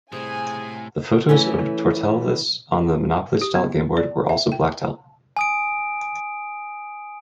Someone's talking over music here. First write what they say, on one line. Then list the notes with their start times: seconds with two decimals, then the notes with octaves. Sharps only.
The photos of Tortelvis on the Monopoly-style gameboard were also blacked out.
0.12 A2 C3 G3 G#4 D#5 G#5
1.29 E3 A3 C#4
3.42 G4
3.55 B3
3.97 D5
4.29 E5
4.52 G5
5.37 G#5 D#6 D7